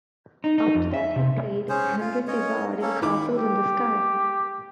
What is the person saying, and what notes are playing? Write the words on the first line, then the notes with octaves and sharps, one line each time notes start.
After that, he played Henry Tizard in "Castles in the Sky".
D#4
D#4
F2
E5
C3
C#4 G#4 C5
F4
C#4 C#5 D#5
A#3 C#4 A4
D#3 E5 B5 D6
G4